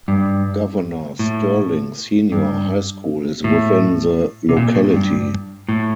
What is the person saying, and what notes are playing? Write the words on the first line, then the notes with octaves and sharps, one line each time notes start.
Governor Stirling Senior High School is within the locality.
G2
A2
G2
A2
C3
A#2
A2
G2
A2